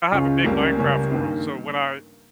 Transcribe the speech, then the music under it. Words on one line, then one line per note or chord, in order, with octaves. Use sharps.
I have a big Minecraft world, so when I
C#2 C#3 G#3 C#4 F4
C#2 C#3 G3 A#3 C#4
C#2 C#3 G3 A#3 C#4
G2 D#3 A#3